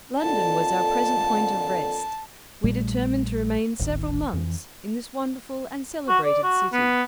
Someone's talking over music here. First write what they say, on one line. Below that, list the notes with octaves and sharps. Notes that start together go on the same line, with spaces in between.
London was our present point of rest; we determined to remain several months in this wonderful and celebrated city.
F2 A#2 D3 A5
A#1 A#2 G3 A3
D1 G#1 A2 D#3
F2 E3
F#4
D5
F#4
B3